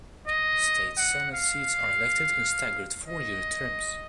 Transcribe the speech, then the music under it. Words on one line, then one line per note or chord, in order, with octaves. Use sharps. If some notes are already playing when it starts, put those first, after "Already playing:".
State Senate seats are elected in staggered four-year terms.
D#5
F#5
F5
D#5